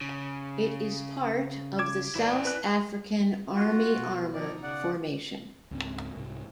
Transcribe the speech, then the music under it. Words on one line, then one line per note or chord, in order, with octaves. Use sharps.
It is part of the South African Army Armour Formation.
C#3
D6 G#6 E7
G#1 E4 D5
B4 F#6
F4 F#4
B2
F3 D#4 D5
C#3 D5 F#5
C#2 G#2 C4
C2 G#2 C3